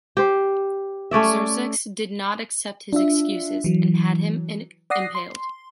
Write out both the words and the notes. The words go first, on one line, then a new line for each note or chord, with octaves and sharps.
Xerxes did not accept his excuses and had him impaled.
G4 C5
A3 C#4 D5 E5
D4 F4 E5
E3 F#3
D5 F#5 D#6 A#6 C7
C6